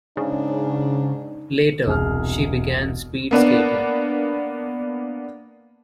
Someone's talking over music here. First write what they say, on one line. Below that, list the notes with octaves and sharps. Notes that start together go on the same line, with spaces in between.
Later, she began speed skating.
G#2 C#3 D4
E1 C2 G#4 F6
A#3 B3 D4